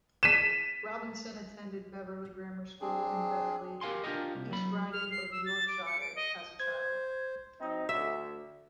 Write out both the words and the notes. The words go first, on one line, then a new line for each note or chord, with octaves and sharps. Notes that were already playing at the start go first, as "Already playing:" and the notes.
Robinson attended Beverley Grammar School in Beverley, East Riding of Yorkshire, as a child.
B6 D#7 E7
C4 D4 G#4
G4 A#4 F5 G#5 C6
D4 F4 G4 G#4 A#4 D#5
C2
F#3 B5
F6
C7
E6
A6
D6
C#7
D7
D#5
C5 G#6
F#3 C4 D#4
D2 E5